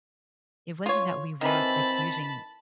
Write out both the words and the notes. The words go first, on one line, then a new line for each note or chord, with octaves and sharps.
it wasn't that we weren't, like, using
F4 C#5
D#3 E3 C4 A5 B5